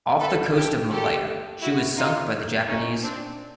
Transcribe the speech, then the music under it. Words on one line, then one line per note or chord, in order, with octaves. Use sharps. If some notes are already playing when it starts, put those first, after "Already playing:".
Off the coast of Malaya, she was sunk by the Japanese.
A4 B4
G4 A4
G4 A4
E4 F#4
D#4 F4
C#4 D#4
C4 D4